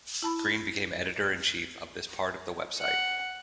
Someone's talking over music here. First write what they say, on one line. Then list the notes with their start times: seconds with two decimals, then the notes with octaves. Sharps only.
Green became editor-in-chief of this part of the website.
0.22 E4 A5 B5
2.80 F#5